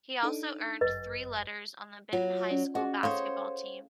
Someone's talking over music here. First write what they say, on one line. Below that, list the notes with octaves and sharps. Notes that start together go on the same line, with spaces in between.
He also earned three letters on the Benton High School basketball team.
D4 D#4 A4
G1 F#2 B4 D#5
F#3 F4
C#4 D5
F#4 G#4 C5 D#5
A4 C5 C#5 F5